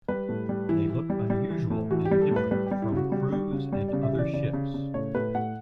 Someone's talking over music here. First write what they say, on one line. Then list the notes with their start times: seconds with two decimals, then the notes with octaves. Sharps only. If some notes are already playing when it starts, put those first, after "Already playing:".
They look unusual and different from cruise and other ships.
0.08 G3 B4
0.29 A2
0.49 G3
0.69 E3 E4
0.90 E3
1.10 G3
1.30 G3
1.50 E3
1.70 A2
1.91 E3 F#4
2.05 G4
2.11 G3
2.21 A4
2.31 A2
2.36 B4
2.51 G3 B4
2.66 G3 G4
2.82 E4
2.92 C#3 F#4
3.12 G3
3.32 G3
3.52 C#3
3.72 G3 D5
3.88 C#3 D5
4.03 E5
4.13 E3
4.19 D5
4.33 C#3 D5
4.53 C#3
4.74 C#3
4.94 A2 C#5
5.15 A2 B4
5.35 A2 F#5